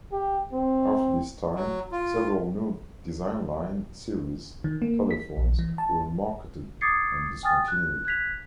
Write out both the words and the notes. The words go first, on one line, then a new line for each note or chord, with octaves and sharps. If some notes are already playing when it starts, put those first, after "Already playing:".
After this time several new Design Line series telephones were marketed and discontinued.
G4
C4
F#3
F4
D#3
A#3
B6
A#1
E3
A5
D6 D#6 G#6 A6 C7 C#7
G5 G#5 D#6 F6 A6
F#6
F#6 G#6 B6 F7